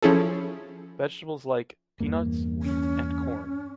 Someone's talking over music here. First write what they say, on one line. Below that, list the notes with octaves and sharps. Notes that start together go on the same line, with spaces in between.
Vegetables like: peanuts, wheat and corn.
F3 C#4 E4 G#4 A4
E2 G2 A#3
C#4